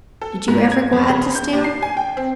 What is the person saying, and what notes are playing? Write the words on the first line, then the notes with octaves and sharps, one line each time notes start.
"Did you ever go out to steal?"
A4
G#2
G#6
F2
C#3
G6
D#2
C7
G#5
G5
C4